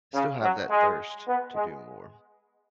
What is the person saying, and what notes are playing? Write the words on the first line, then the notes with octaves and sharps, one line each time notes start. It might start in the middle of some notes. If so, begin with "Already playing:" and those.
still have that thirst to do more.
C#3
F#3
G#3
B3
G#3